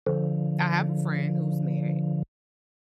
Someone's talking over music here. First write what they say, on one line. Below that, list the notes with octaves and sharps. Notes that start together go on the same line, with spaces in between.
I have a friend who's married
D3 F3